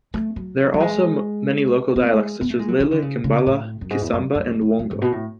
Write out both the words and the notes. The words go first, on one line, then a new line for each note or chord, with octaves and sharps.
There are also many local dialects such as Lele, Kimbala, Kisamba, and Wongo.
A3
F#3
F#3
G#3
B3
A3
G#3
B3
A3
G#3
F#3
E3
D3
C#3
C#3
A2
F#2
G#2
E2
F#2
F#2
E2
E2
F#2
G#2
B2
A2